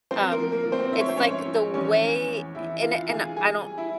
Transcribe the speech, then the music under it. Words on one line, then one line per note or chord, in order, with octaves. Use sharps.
um, it's, like, the way and and I don't
F3 C4 C5
A#3 A#4
F3
A#3 A#4
F3
C4 C5
F3 E5
C#5
C5
G#2 C#4 C#5
F3
E2 C#4 C#5
E3
E2
E2 E4 E5
E3 F4 F5
E3 G#4 G#5
G3 G#4 G#5
G3
E4 E5